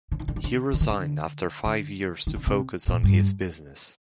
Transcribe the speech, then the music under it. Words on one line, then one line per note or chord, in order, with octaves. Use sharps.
He resigned after five years to focus on his business.
D3
D#3
D3
D#3
D3
D3
D#3
D3
D3
D#3
D3
C3
A#2
G2